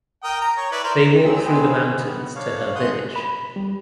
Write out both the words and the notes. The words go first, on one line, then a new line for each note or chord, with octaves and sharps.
They walk through the mountains to her village.
A#4 G5 D#6
A#5
C#5
E4 B4 D5
A#4 C5 D5
D2 D#3 F#3 C4 G#4 E6
D#3 B3 C4 G#4 C5
B3
D4 C#5 F5
F#2 F#5 C6 D#6 G6
B5
G3